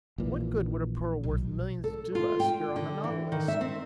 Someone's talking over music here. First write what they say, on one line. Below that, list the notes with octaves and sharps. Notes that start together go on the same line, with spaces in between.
"What good would a pearl worth millions do us here on the Nautilus?"
A#1 A#2 E3
B1
A4
F4
G5
D3
E3
D#3
E5
C4